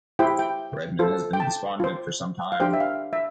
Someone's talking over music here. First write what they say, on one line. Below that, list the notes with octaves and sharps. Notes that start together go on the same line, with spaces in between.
Redman had been despondent for some time.
E4 G4 C5 G5
G5
F4 A4 C5
G5
A5
F4 C5
F5
D4 G4 C5 G5
E5
F5
E5